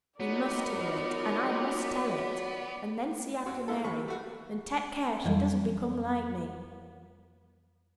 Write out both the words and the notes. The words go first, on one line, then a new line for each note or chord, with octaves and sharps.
You must hear it, and I must tell it; and then see after Mary, and take care she does not become like me.
F#3 B3 D#4 F4 A#4 D5
F#2 C4 F#4
G#2 E4 A4
D#2 B5 C#6
G3 A3 F#4
F2 E3 F#3 G3